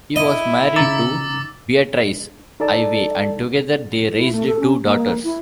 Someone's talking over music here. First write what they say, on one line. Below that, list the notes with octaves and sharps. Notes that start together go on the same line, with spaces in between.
He was married to Beatrice Ivey and together they raised two daughters.
E4 D#5
C#3 D#4 A#5 D6 E6 A6
D#4 A4 D5 A5
E4
A3
A4
C#4
A#3
E4